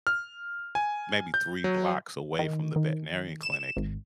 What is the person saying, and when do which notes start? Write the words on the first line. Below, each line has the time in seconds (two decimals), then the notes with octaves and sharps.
maybe three blocks away from the veterinarian clinic,
0.07 F6
0.75 G#5
1.34 G6
1.64 F#3
2.39 D#3
2.76 D#3
3.43 E7
3.76 G#1